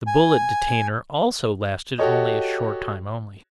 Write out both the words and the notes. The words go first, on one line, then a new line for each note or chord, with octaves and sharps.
The bullet detainer also lasted only a short time only.
G#5
F#4 G4 A4 C#5 D#5